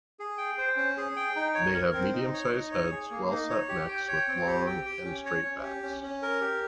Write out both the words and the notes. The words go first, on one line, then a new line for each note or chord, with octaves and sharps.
They have medium size heads, well-set necks with long and straight backs.
G#4
G5
C5
C#4
G#4
G5
D#4
C#5
A#4
C4
D#4
C#5
D#4
C#5
G#4
A#3
D#4
C#5
G4
G5
C#5
C4
G4
G5
G4
C#4
C#5
C#4
G4
C#4
C#4
A#4
G4